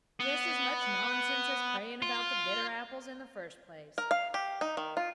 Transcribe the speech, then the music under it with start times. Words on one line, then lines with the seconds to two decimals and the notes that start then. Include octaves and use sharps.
"Just as much nonsense as praying about the bitter apples in the first place."
0.20 B3
2.02 F4
3.98 A#4
4.11 F5
4.34 G4
4.61 D#4
4.77 D#3
4.97 F4